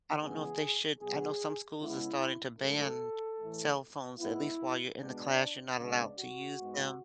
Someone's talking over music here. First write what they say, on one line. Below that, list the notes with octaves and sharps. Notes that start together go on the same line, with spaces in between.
I don't know if they should I know some schools are starting to ban cell phones, at least while you're in the class, you're not allowed to use them.
C#3 E3 G#3 B3 G#4
B2 F#3 B3 G#4
C#3 G#3 B3 E4
G#2 F#3 A3 A4
A2 E3 A3
G#2 G#3 B3 E4
B2 G#3 B3 D4
C#3 G#3 B3 D4
F#4
G#2 G#3 B3